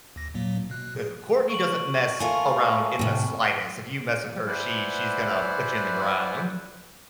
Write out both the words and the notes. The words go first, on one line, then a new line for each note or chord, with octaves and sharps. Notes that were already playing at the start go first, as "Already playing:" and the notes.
Uh, Courtney doesn't mess around in the slightest. If you mess with her, she she's gonna put you in the ground.
D#2 A#6
A#2 F#3 A#3
B2 F#6
G#4
C#6 D7 F#7
A3 F4 A#4 G#5 C#6
A2 C3
E4 B4 C5 D5 F#5 G#5